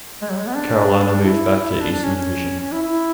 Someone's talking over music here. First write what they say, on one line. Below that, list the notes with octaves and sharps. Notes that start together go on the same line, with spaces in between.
Carolina moved back to Eastern Division.
G#3
F#3
G#3
B3
D4
E4
E4
E4
D4
D4
C#4
C#4
C#4
E4
E4